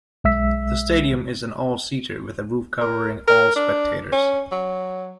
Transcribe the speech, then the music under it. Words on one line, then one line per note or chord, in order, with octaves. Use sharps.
The stadium is an all-seater, with a roof covering all spectators.
B1 G#3 E5 E6 B6
A#4
A#4
D4
C#4
F#3